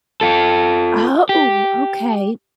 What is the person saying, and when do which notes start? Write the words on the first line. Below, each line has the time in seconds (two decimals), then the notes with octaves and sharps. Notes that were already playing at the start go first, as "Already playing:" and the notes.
Ah, oh, okay.
0.21 F4 A4
1.29 G4